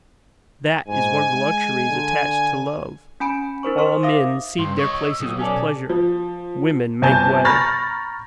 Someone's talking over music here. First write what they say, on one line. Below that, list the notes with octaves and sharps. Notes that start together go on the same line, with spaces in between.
That is one of the luxuries attached to love; all men cede their places with pleasure; women make way.
G#2 G#5
G#3
D3
C#4 G#5 B5 D7
D#4 A#4 C5 C#6
A#4 C5 C6 C#6 D#6 F6
E5 F5 D6 D#6
G2 C6
C#5 D#5 C#6
E6
B1 D#6
C#4 A4 D5 G#5
F3
G1 C3 G#5 A5 G6
A#5 B5 C#6 F6 A6 A#6